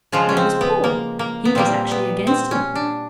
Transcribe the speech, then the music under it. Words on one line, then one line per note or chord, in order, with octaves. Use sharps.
There was Paul; he was actually against Him.
C#3 F3 G#3 F4
C#4
C4
B3
A#3
A#3
B3
A#2 G3 A#3 C4
B3
C4
C#4
D4